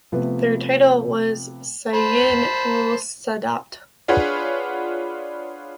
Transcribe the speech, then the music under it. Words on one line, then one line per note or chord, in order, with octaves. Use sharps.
Their title was Sayyid ul Sadaat.
C3 F3 A3 B3 A4 B4
C5 A5 B5
D4 F4 G#4 B4 C#5 F#5